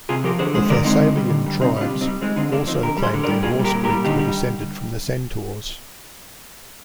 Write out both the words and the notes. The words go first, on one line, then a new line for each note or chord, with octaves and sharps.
The Thessalian tribes also claimed their horse breeds were descended from the centaurs.
C3 F4 G#4
F3 G4 A#4
D3 G#4 C5
G#3 G#4 C5
D3 A#4 D5
G#3 C4 D#4
D3
G3
D3
G3
C3 C4 D#4
G3 D4 F4
C3
C4 D#4
G3
G#3 C4 D#4
D3 C4 D#4
D3 A#3 D4
F3 C4 D#4
D3 G4 A#4
G3
G#4 C5
D3
A#4 D5
G3
A#2 F4 G#4
G3
G4 A#4
A#2
G4 A#4
G3
D3 D#4 G4
G3